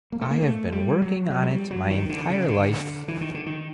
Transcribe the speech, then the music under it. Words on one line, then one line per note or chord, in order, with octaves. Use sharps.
I have been working on it my entire life.
A#3
A3
A#3
A3
G3
F#3
F#3
G#3
G3
F#3
D#3
D3
C#3
D3
E3
D#3
D3
D#3